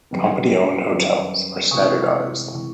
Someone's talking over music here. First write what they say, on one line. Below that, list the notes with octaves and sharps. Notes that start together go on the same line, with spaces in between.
Company-owned hotels are standardized.
F#2 D#3 G3 B3
F#2 D#3 G3 B3
C3 E3 G#3 C#6 D#6
C3 E3 G#3